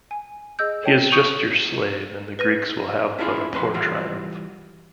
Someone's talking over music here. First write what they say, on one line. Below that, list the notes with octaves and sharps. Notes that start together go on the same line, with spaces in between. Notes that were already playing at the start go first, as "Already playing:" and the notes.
He is just your slave and the Greeks will have but a poor triumph.
G#5
G#4 D#5 E6 G6
A4 C#5 G5 A5 D#7
C#6 D#6 G6 C#7 D7 F7
B4 A#6 D#7
C#4 D4 E4 F4 G#4
F2 A2 B4 C6
E3 G3 F4 F#4